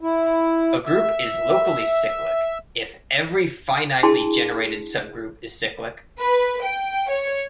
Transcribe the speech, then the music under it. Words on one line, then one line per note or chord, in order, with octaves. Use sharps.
A group is locally cyclic if every finitely generated subgroup is cyclic.
E4
E5
D4 E4 F#4 G#4 A5 C6
B4
G5
C#5